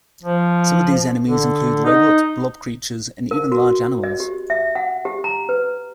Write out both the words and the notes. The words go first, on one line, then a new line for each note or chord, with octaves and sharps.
Some of these enemies include robots, blob creatures, and even large animals.
F3
D3
D#4
A#4
F#4
D#5
G4
E5
F#5
G4
A#5
B4